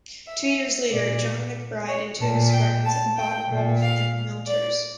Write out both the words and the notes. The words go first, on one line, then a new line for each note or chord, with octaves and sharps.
Two years later, John McBride and two of his friends, bought Rolph and Melchers.
E5
A#2 D5
C#5
A#2 A5
G5
A5
G5
A#2
F5
D5